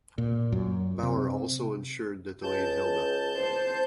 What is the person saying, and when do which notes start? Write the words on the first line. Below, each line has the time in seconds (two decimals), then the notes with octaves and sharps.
Bauer also ensured that the lead held up.
0.18 A#2
0.52 F#2
1.03 C3
2.43 C#2 A5 G6
3.37 C5